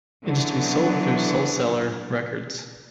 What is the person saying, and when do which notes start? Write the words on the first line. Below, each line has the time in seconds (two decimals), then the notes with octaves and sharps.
It is to be sold through Soulseller Records.
0.24 D3 E3 F#3 B3